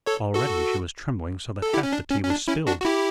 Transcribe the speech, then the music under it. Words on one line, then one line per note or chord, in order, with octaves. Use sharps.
Already she was trembling so that half the tea was spilled.
A4 C#5
F#4 A4
A4
E4 G4
C#4
D4
C#4
C#4
D4
C#4 E4
D4 F#4
F#4
E4 G4